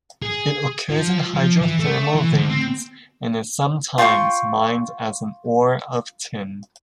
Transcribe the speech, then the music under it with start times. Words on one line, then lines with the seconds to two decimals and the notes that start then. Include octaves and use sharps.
It occurs in hydrothermal veins and is sometimes mined as an ore of tin.
0.22 G#4
0.90 F3
1.35 F3
1.62 E3
1.79 A3
2.14 E3
2.32 D2
2.49 C4
3.98 F4 G5 A5 C#6